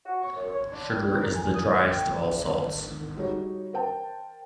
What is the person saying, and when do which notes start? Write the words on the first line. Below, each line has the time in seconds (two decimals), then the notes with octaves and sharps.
Sugar is the driest of all salts.
0.06 F#4
0.21 C#6
0.35 F#2
0.50 C#5
0.72 D4
0.89 G5
1.16 A#4
1.34 G#5
1.54 D#6
1.71 G#5
1.85 G5
3.17 G3 D#4 F#4 G#4 C#5
3.73 A#4 C5 G5 A5